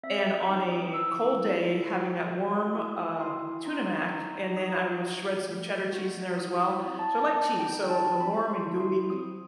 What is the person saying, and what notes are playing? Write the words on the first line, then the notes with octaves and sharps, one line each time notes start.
and on a cold day, having that warm, uh, Tuna Mac, and then I will shred some Cheddar cheese in there as well. So, I like cheese, so the warm and gooey,
C4 E5
G5
D#4 B5
D#6
E4 E6
E4
F#4
F#4
E4 D#6
E4 C6
D#4 C6
D#4
D#4 D#6
F#4
A3
F#4
E4 D#6
B5
C4
A5
D#4 A5
G5
D#4
A5
C4 B5
C6
E4
C6
C4 D#6